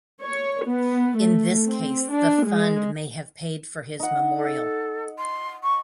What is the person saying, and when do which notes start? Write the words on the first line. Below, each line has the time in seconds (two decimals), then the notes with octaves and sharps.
In this case the fund may have paid for his memorial.
0.23 C#5
0.65 B3
1.19 A3
1.68 C4
2.13 D4
2.47 G#3
4.00 D#4 F#5
4.37 A4
5.18 C6
5.63 C#6